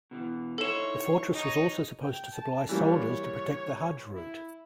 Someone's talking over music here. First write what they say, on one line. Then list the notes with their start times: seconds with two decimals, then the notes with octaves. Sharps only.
The fortress was also supposed to supply soldiers to protect the hajj route.
0.11 B2 D#3 E3
0.58 D#4 E4 A4 C5 C#5 E7
1.32 D#4 C#5
2.02 G5
2.32 A5
2.69 E3 G3 A#3 C#5
4.14 E4